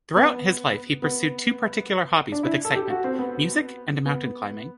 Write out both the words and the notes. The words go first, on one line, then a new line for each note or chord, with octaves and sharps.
Throughout his life he pursued two particular hobbies with excitement: music and mountain-climbing.
B3
B3
D4
E4
A4
G4
F#4
C4
B3
B3